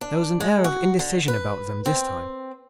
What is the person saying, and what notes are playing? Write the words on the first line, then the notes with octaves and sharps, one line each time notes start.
There was an air of indecision about them this time.
D4
G#3
F#4
D3
B4
C4